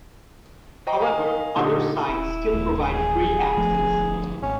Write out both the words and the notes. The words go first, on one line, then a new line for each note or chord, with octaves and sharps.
However, other sites still provide free access.
C5 D#5 G5 A#5 C#6
D#5 F5 G#5
A#2 D3 D#4 G4 C6 D#6
D#1 E4
A1 D#2 A3
G#4
G1 F3 A3
G#1 C#4